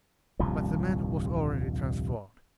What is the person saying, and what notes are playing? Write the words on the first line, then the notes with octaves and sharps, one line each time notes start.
But the man was already transformed.
D#1 C2 G2 F3